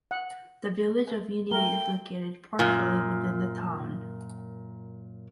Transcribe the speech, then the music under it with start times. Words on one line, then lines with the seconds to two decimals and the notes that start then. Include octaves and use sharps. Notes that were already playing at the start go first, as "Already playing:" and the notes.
The Village of Unity is located partially within the town.
0.11 F#5
1.51 A3 A#4 G5 G7
2.59 F#2 A#2